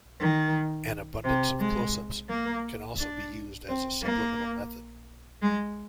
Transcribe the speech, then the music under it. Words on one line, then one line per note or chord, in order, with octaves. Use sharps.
An abundance of close-ups can also be used as a subliminal method.
D#3
C3
G#3
A#3
D4
C4
A#3
G#3